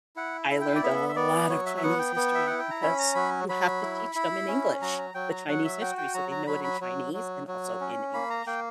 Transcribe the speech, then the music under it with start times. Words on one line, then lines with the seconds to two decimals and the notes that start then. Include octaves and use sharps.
I learned a lot of Chinese history because you have to teach them in English. The Chinese history, so they know it in Chinese and also in English.
0.16 E4 F#5
0.50 E4
0.61 G5
0.75 D5
0.83 B3 E5
1.09 E5
1.16 B3 D5
1.50 F#3 C#5
1.66 E5
1.77 E5
1.83 B3 F#5
1.99 G5
2.16 B3
2.35 E5
2.47 E4 F#5
2.59 G5
2.70 A#5
2.82 C#4 B5
2.99 A#5
3.15 F#3 B5
3.49 F#3 B5
3.82 E4
4.15 E4
4.48 C#4
4.82 F#3 A#5
4.98 A#5
5.14 F#3 G5
5.31 A#5
5.48 F#3 F#5
5.64 E5
5.81 F#4 G5
5.98 G5
6.14 F#3 A#5
6.31 A#5
6.47 F#3 B5
6.64 B5
6.81 F#3
7.14 F#3
7.47 F#3
7.81 C#4
8.14 A#3 B5
8.30 A#5
8.46 A#3 G5